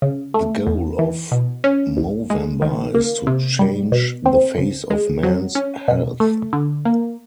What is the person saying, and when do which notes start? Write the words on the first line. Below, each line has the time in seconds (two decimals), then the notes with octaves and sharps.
The goal of Movember is to change the face of men's health.
0.02 C#3
0.34 A3
0.66 E2
0.99 E3
1.31 B2
1.64 C#4
1.97 C2
2.30 G#3
2.62 D#3
2.95 A#3
3.27 C3
3.59 G3
3.92 B2
4.26 C4
4.58 C#2
4.90 G#3
5.23 F#3
5.55 C#4
5.88 B2
6.20 A3
6.53 D3
6.85 A#3